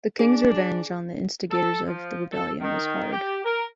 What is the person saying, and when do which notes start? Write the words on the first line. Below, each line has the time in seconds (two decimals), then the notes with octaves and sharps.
The king's revenge on the instigators of the rebellion was hard.
0.19 D4 G#4
1.50 A4
1.87 F3
2.31 A4
2.60 D#3
3.12 G4
3.43 A#4